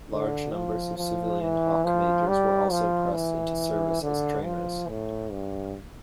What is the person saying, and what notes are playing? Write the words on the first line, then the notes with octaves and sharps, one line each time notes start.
Large numbers of civilian Hawk Majors were also pressed into service as trainers.
D3
F3
F3
E3
F3
G3
F3
E3
D3
F3
A2
G2